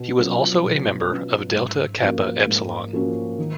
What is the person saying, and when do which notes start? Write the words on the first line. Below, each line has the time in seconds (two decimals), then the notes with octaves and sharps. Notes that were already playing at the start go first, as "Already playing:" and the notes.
He was also a member of Delta Kappa Epsilon.
Already playing: B2
0.19 F#3 C#4 F4 B4
0.64 B2
1.10 F#3 C#4 F4 B4
1.55 G#2
2.01 F3 A#3 C#4 F#4
2.47 G#2
2.93 F3 A#3 C#4 F#4
3.38 D#3